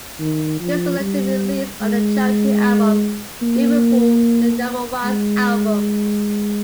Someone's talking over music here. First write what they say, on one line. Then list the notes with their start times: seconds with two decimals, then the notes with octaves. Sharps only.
This was later released on the charity album "Liverpool - The Number Ones Album".
0.20 D#3
0.60 F3
1.00 G3
1.81 G#3
3.42 A#3
5.04 G#3